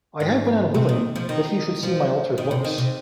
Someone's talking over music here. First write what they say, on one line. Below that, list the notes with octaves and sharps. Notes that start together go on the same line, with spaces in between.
I had been unwilling that he should see my altered looks.
G#2
C3
D#3
F3
D#3
F3
D#3
C3
D#3
C3